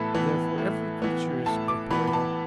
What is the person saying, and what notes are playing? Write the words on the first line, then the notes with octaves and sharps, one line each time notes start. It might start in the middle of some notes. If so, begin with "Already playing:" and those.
Therefore, every creature is corporeal.
Already playing: A2 E3 B3 A5 B5
E3 B3
A2
E3 B3
A2 A5
D6
E3 B3 B5
B5
A5